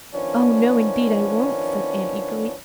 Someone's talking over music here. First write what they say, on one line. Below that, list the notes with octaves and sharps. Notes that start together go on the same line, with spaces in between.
"Oh, no, indeed, I won't," said Anne eagerly.
D#3 F3 B3 C#4 D4